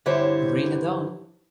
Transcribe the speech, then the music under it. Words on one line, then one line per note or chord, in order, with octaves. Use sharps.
Ring a dong!
G2 D3 E4 G4 C5 C#5